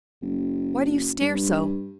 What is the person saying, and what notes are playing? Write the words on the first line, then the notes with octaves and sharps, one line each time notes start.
Why do you stare so?
F#1
G2